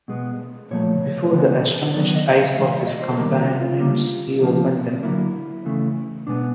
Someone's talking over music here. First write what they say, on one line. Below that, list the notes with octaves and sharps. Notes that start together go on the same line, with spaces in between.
Before the astonished eyes of his companions he opened them.
B2 G#3 B3
A#2 F3 A3 C#5
C#3 E3 G#3 B3
D#3 F#3 B3 D5
D#5
F5
A2 E3 G#3 F5
E5
D5
D#5
C5
A4
D#3 G3 A#3 A#4
F#4
F4
D3 G3 A#3
C#3 F3 A#3
D3 F#3 A#3 E4
C#3 E3 A3
B2 G#3 B3 D4